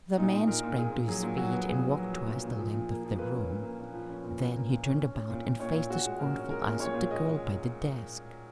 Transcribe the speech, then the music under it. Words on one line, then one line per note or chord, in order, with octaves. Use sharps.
The man sprang to his feet and walked twice the length of the room; then he turned about and faced the scornful eyes of the girl by the desk.
A#2 D#4
A#2
A#2 A#4
A#2
A#2 G#4
A#2
F#3 G#4
A#2
F#3 F#4
B3
A#2 G#4
B3
F#3
F#3
A#2
A#2
F3
A#2
A#3
F3
A#3 B4
C#4
C#4
A#3
A#2
F3
C#4
A#2
A#2
A#3
A#2
C#4
C#4
C#4
A#2
A#2
A#2 C#5
A#2
A#2 F#4
G#3
A#2 A#4
C#4
G#3 A#4
A#2
A#2 C#5
A#2
G#3 D#5